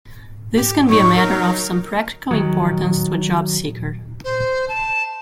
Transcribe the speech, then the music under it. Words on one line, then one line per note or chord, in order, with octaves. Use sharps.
This can be a matter of some practical importance to a job-seeker.
G4
F#3 D#4 C#6
A#4
D#3 F#3
C5
A5